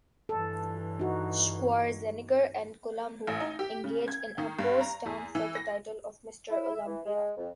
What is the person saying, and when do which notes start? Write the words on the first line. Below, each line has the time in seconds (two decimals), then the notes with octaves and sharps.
Schwarzenegger and Columbu engage in a posedown for the title of Mr. Olympia.
0.29 G2 E3 A4
1.00 D#4 F#4
3.27 A1
3.40 D#4
3.59 G4
3.84 C#3
4.08 G#6
4.38 D#3
4.59 G2
4.81 A#5
5.06 E2
5.35 E3
5.55 A#6
6.51 E4
6.74 E5
6.87 E3
7.05 G#3
7.37 F2